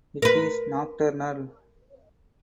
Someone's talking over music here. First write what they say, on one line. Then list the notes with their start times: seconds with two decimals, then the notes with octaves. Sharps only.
It is nocturnal.
0.22 A#4 B4